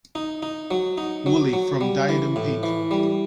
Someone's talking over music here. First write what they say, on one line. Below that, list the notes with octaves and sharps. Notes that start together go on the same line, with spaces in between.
Woolley from Diadem Peak.
D#4
D#4
F#3
D#4
F#3
F#3
G3
E3
A2
E3
G3